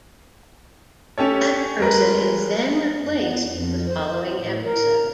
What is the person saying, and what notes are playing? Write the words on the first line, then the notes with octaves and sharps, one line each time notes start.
That person is then replaced the following episode.
C#4 G4 A4 C#5
G3 G#3 A#4 B4
F#2
B3
F2
C5
C5
A2
A#4